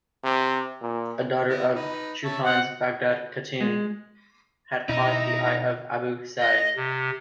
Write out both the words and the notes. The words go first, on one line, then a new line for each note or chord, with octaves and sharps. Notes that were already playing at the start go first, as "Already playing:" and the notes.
A daughter of Chupan's, Baghdad Katun, had caught the eye of Abu Sa'id.
C3
A#2
B3 E4
D#4 B4
C#5 E5 A5
C4 C5 F#5
G#3
B2 D#4 E4 A#5
D#5
C3